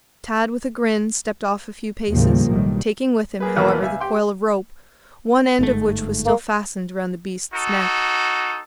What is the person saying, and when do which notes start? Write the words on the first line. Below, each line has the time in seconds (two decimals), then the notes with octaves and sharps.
Tad, with a grin, stepped off a few paces, taking with him, however, the coil of rope, one end of which was still fastened around the beast's neck.
2.11 D#2 A2 C#3 F3 G3 A#3
2.49 B1 A2 D#3 G3
3.40 A#3 G#4 B4
3.56 A#1 E2 B2 A#3 B4 B5
3.82 C#2 E5 G#5
4.00 G4 G5 C6
5.59 G1 G#2 A3
6.26 A#3
7.54 D#4 F#4 A4